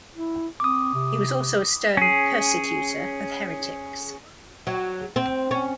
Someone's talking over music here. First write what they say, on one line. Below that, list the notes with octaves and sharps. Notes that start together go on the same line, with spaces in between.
He was also a stern persecutor of heretics.
E4
C4 D6 D#6
C3
C#4 G#4
F#3
C4
C#4